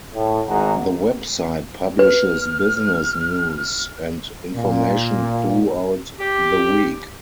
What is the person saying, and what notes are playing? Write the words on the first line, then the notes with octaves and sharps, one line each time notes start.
The web site publishes business news and information throughout the week.
A2
G#1 G#2 F#5 A#5
B4 F6
A#2
G4